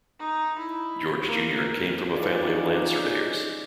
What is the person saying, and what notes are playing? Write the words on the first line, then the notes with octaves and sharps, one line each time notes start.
George Junior came from a family of land surveyors.
D#4
E4
A#3
C#4 D#4 F4 G#4 D5